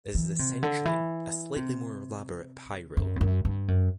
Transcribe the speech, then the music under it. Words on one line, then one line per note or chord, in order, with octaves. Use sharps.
This is essentially a slightly more elaborate pie rule.
E3
C3
D3
E3
C3
F#2
E2
F#2
G2
F#2